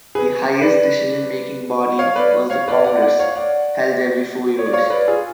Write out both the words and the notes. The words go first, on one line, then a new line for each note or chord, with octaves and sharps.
The highest decision-making body was the Congress, held every four years.
G#4 B4
B4 D5
C#5 F5
B4 D5
C#5 F5
B4 D5
F5
D5 F#5
D5 F#5
C#5 F5
D5 F#5
C#5
D5
C#5 F5
B4 D5
F4 G#4